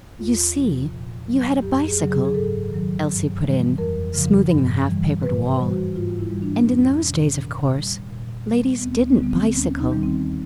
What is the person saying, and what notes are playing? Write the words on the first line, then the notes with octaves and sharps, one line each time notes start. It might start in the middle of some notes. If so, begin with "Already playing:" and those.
'You see, you had a bicycle,' Elsie put in, smoothing the half-papered wall; 'and in those days, of course, ladies didn't bicycle.
E2 F4
C3 F3
A#2
F#3
F#2 G4
G#4
C#3 F#3
G#4
G#4
G#2 A4
D#3 F#3
G2
E3 G3
F2 A#4
C#3 F3
G2
E3 G3
G#2 B4
C5
E3 G3
F#4
G#2 F4
E4
E3 G3
D4
F2 C#4
C3 D#3
A#2
G3
A#2
G3
B3
D2 C4
B3
D3 G3 B3
C4
D#2 C#4
D#4
D#3 G3
C4